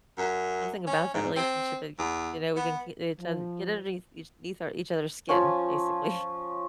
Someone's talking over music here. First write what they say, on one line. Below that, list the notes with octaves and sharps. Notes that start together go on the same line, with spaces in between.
something about that relationship, like, you know, we can k each other get underneath each eth each other's skin, basically.
F#2
C#4
G#2
C4
E2
B3
F3
F3 C#4